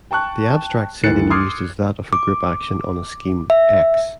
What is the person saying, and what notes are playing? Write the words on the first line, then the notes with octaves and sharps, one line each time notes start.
The abstract setting used is that of a group action on a scheme "X".
G5 A5 C#6 F#6
D2 D#3 E3 F#6 A6 C#7
C6 D6 D#6 F6 G#6 C7
D6
E5